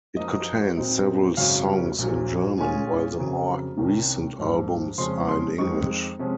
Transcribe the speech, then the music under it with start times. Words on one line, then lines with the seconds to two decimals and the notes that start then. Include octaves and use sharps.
It contains several songs in German, while the more recent albums are in English.
0.17 F#2 F3 A#3 D#4 D#5
0.77 A#2 F#3 C4 D#4
1.37 G#1 F#2 C#3 F#3 C#4 F5
1.98 A#1 A#2 F#3
2.58 A#2 G#3 C#4 F4 G#5
3.17 F2 C#3 F#3 A#3
3.77 C2 C3 D#3 A#3 C#4
4.38 A#1 G#2 F3 A#3
4.98 F2 C#3 F3 G#3 C#4 C6
5.29 C6
5.58 F2 D#3 G#3 D#4 C#6
6.19 C3 F3 G#3 C#4